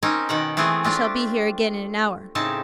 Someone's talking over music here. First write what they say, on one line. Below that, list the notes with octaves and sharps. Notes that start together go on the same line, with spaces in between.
I shall be here again in an hour.
C4 C#4 D#4 A#4 D#5
B2 D#3 F#5 G5
E3 A3 B3 C4 G#4
C4 D4 F4 G4
A2 C#3 C4 D#4 A5